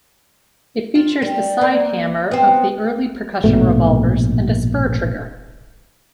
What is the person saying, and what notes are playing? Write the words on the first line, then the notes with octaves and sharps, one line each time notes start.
It features the side-hammer of the early percussion revolvers and a spur trigger.
F4
G3
A#3 D5
B3 C4
A#1 G#2 B2 A3